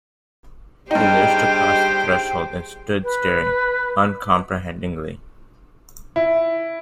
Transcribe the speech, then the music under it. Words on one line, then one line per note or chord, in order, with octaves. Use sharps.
He lurched across the threshold and stood staring uncomprehendingly.
G2 D#4 G4 G#4 C5 G5
B4
E4